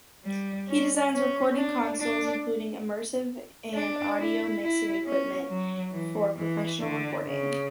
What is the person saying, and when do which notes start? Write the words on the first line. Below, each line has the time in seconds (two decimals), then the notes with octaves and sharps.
He designs recording consoles including immersive and audio mixing equipment for professional recording.
0.25 G3
0.68 C#4
1.12 C#4
1.55 D4
2.00 D4
3.74 D4
4.18 E4
4.61 E4
5.05 C#4
5.49 F#3
5.92 E3
6.37 E3
6.81 D3
7.23 C#3